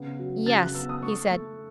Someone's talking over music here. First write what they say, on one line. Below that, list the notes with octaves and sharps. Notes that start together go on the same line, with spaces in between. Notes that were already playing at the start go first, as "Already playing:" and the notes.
"Yes," he said.
Already playing: C#3 B3
F#3
C#3 A6
F#6
B3 E6
D#6
A3 C#6
A3